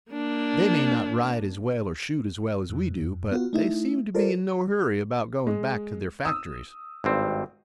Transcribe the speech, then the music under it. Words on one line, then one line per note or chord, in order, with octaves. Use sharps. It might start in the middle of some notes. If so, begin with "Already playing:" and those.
"They may not ride as well or shoot as well as we do, but they seem to be in no hurry about going back to their factories."
A#3 D4
F2
B3 F4 F#4
A3 D#4 E4 E5
F4 A4 A#4 C5 D5
G#3
D#6 E6
G#1 G2 C4